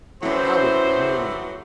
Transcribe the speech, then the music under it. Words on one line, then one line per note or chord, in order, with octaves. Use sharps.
How it bloomed!
A2 E3 F#3 C#4 E4 C5